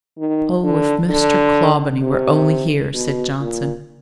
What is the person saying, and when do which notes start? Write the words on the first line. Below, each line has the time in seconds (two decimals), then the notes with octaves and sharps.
"Oh, if Mr. Clawbonny were only here!" said Johnson.
0.18 D#3
0.63 D3
1.10 D3
2.02 C3
2.94 B2
3.40 A#2